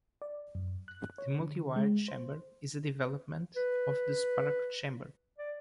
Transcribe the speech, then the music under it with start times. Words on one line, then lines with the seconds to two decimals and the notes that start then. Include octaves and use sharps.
The multi-wire chamber is a development of the spark chamber.
0.22 D5
0.55 F#2
0.88 F#6
1.18 C#5
1.40 D3
1.76 G#3
2.08 C5
3.56 B4
5.38 D5